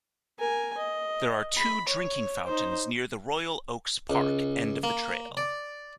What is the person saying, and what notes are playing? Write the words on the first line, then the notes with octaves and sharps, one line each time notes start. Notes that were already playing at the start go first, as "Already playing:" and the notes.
There are two drinking fountains near the Royal Oaks Park end of the trail.
A#4 G#5
D#5
B5
C#5
D#4 C5
C#2
A#3
D5